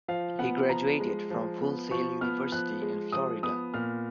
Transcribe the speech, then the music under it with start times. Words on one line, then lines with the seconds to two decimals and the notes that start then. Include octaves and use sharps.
He graduated from Full Sail University in Florida.
0.08 F3 F5
0.39 B3 F#5
0.69 F3 A#5
1.00 G#3
1.30 F3
1.61 B3
1.91 F3 C#6
2.21 B3 F6
2.52 F3 F#6
2.82 G#3
3.12 F3 D#6
3.43 B3 D#6
3.74 A#2 F6